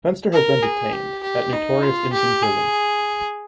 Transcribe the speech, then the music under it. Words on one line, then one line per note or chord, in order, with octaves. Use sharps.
Fenster has been detained at notorious Insein Prison.
A#4
G#4
G4
G4
D#4
F4
G4
G#4